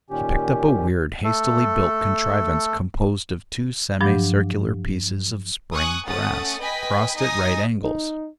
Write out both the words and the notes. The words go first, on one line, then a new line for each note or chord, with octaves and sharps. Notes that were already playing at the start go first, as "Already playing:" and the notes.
He picked up a weird, hastily built contrivance composed of two semi-circular pieces of spring brass, crossed at right angles.
A#2 D#3 C#4 G4
A3 A4
G2 F3 F#3 D4 G4
G#5 C#6 D#6 F#6
A3 C#4 F#5 D#6 A6
B4 D#5 G5 G#5 B6
D#4 D#5 G#5 D#6 A#6
D#4